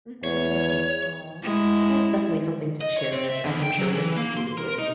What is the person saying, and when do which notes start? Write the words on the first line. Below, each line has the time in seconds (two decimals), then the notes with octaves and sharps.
Mhm, aw, but that's definitely something to cherish as I'm sure that you do, and
0.24 E2 C#5
1.42 G#3 E4
2.81 D#5
2.97 C#5
3.13 C4
3.30 E5
3.45 E2
3.62 G5
3.78 F#3
3.95 E3
4.16 A#3
4.37 C6
4.57 A#4
4.78 D#4